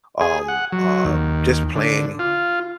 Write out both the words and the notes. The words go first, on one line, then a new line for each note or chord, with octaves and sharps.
um, uh, just playing
G#4
F#5
F#3
D#2
D3
F4